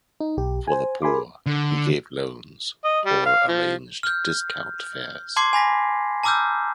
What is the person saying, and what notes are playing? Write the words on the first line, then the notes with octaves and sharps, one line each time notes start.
For the poor, he gave loans, or arranged discount fares.
D#4
B1 G4
C5 G#5
G#4 A#4 G#5 B5 C6 D6
D3
D#5
G3
F5
F3
F6 G6
A5 C6 D6 G#6 C7
G#5 B5 A#6 B6
A5 A#5 D6 E6 F6 G6